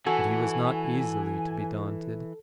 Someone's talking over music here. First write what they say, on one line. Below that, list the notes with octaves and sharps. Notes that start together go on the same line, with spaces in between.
But he was not easily to be daunted.
E3 F#4 A4 G#5